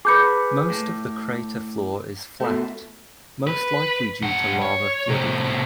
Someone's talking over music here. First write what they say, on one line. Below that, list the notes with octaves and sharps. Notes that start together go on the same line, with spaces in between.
Most of the crater floor is flat, most likely due to lava flooding.
G#4 B4 D6 G6 C#7
A2
B2 A3
B4
G2 F#5
C#5
A2 C3